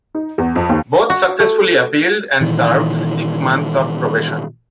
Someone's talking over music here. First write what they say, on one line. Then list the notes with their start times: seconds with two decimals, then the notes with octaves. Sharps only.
Both successfully appealed and served six months of probation.
0.15 D#4
0.38 E2
0.55 F2
0.69 D#2
1.10 F#4
1.40 A3
2.41 A#2 D#3 E3